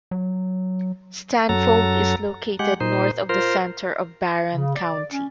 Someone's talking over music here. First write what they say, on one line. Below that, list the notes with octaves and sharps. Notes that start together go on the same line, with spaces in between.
Stanfold is located north of the center of Barron County.
F#3
F#2 F#3 A4 A#5
G#3 G4 F#5
A#2 D#4 C5
F4 A#4 C5
C#3
D5
C#4